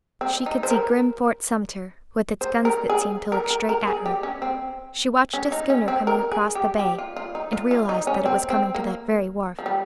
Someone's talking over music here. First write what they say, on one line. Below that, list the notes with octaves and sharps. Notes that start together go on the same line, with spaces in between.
She could see grim Fort Sumter, with its guns that seemed to look straight at her. She watched a schooner coming across the bay, and realized that it was coming to that very wharf.
C4
D#4
C5
A#4
C5
A#4
G#4
A#4
A#4
A#4
G#4
G4
C#4
C4
C#4
D#4
C#4
C4
A#4
G#4
G4
G4
F4
F4
D#4
F4
F4
D#4
C#4
C4
C4
A#3
F3
G3